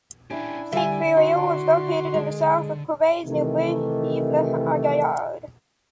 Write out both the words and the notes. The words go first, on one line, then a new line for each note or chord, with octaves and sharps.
Sainte-Féréole is located in the south of Corrèze near Brive-La-Gaillarde.
C#4 D4 E4 G4 G#5
D3 G3 E5 G#5
F#4 C6
G#3
C3 D#3 E3 A3